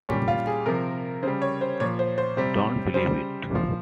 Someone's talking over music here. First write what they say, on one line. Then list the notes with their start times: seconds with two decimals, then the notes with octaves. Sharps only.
Don't believe it.
0.09 A#2 G3 C#4
0.28 F4
0.47 G#4
0.66 C3 F3 A#4
1.23 C#3 C5
1.27 G3
1.42 C#5
1.61 C5
1.80 A#2 C#5
1.83 F3
1.99 C5
2.18 C5
2.37 C3 G3 C5
2.94 C#3 G3 C5
3.51 A#2 F3